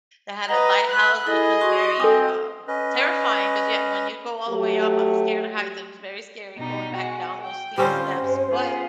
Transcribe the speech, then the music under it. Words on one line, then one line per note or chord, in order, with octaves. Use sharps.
That had a lighthouse, which was very, um, terrifying, 'cause yeah, when you go all the way up- I'm scared of heights- it was very scary going back down those steep steps, but
B4 D#5 F#5 A#5
B4 F#6
E4 G#4 A4 D#5 B5
F#4 C6 C#6
C4 A4 G#5 D#6
C#4 B4 D#5
F#3 A3 G4
B2 G3 D#4
G#3 F#4
G5
D3 G3 C4 C#4 F4 C5
G2 G#3
B3 F4 G#4